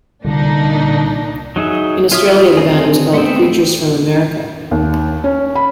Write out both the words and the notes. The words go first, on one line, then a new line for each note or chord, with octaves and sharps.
In Australia the band was called "Creatures From America".
C2 A#2 D3 D4 D#4
F#3 D#4 G#4 E5
F4 C#5 E5 D#6 F6
D3 C4 D#4 G#4
A3 B3 C4
D#2
C#4
B5